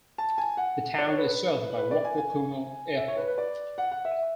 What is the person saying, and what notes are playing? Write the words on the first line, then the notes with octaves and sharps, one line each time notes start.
The town is served by Waco Kungo Airport.
A5
G#5
F#5
D5
C#5
B4
B4
B4
D5
G#5
G#5
E5
C#5
B4
B4
D5
F#5
F#5
E5